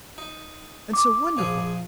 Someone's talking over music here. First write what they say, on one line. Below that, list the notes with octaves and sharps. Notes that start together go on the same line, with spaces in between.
And so wonderful!
D#4
D6
A#1 F3 G#4